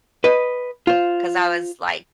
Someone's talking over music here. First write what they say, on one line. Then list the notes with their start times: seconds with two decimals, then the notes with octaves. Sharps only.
'cause I was, like,
0.24 B4 D#5
0.87 F4 C5